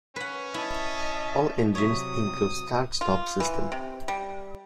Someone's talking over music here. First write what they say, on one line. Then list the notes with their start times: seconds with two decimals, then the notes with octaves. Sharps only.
All engines include start-stop system.
0.16 C#4 B4 F#5
0.54 E4 D#5 E5 A5
1.75 C3 F#3 C#5 E5 D#6
3.01 F4
3.40 E3
3.72 C3
4.08 G3